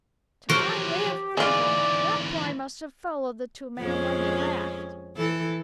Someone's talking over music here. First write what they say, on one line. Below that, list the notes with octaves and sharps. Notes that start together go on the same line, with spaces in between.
"To my way of thinking, that boy must have followed the two men when they left."
F3 F#3 F#4 G4 A#4 C5
G#2 E3 G#3 F4 D5
F2 G#3 C#4
E3 A4